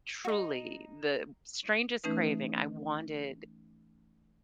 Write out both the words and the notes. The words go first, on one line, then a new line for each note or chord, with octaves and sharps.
truly the strangest craving, I wanted
D#4 F#4
E3 A3 C#4 D#4 B4